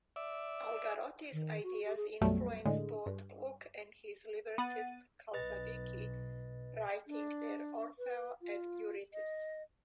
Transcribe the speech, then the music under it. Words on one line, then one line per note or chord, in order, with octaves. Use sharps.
Algarotti's ideas influenced both Gluck and his librettist Calzabigi, writing their Orfeo ed Euridice.
D5 E5
D#3
F#4
G4
G#4
B1 F#2 B2 F#3 G3 A3
A2 D3 G#3
G2
B3 F#5 A6 D#7
B1 B4 D#5 A6
D4
B4
F4
D#5